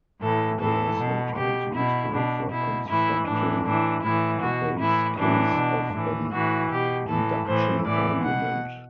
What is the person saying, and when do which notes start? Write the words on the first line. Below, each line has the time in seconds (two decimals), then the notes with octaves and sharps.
They are sometimes useful for constructing the base case of an induction argument.
0.22 A2 E3 A4
0.60 A2 E3 A4
0.99 B2
1.36 B2 G4
1.75 B2 E4
2.13 B2 D4
2.51 B2 E4
2.89 A2 E3 E4
3.27 A2 E3 D4
3.65 A2 E3 D4
4.04 A2 E3 E4
4.42 B2 F#4
4.80 A2 E3 E4
5.18 A2 E3 D4
5.56 B2
5.95 A2 E3
6.33 A2 E3 F#4
6.71 B2 G4
7.09 A2 E3 A4
7.48 A2 E3 C5
7.85 A2 E3 D5
8.24 B2 F#5